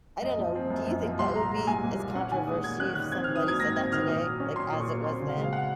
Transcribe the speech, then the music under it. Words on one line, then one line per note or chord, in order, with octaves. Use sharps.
I don't know. Do you think that would be as controversy if somebody said that today, like, as it was then?
F#2 D#5
F3
C4
F#2
F#2
F3
C2 C6
A#2 A#5
G#3 A#5
C2 G#5
C2
A#2
C#4 F#5
D#3 G#5
G#3 D#6
D#2 G#6
C#4 F#6
D#3 F#6
C4 G#6
F6
D#3
D#6
F#3 G#6
G#2 A#6
C4 G#6
D#3 F6
A#2 D#6
F#3
C#4
A#2 C6
A#2
C#6
F#3
C4 C6
C#3
F5
G#3
F5
F#5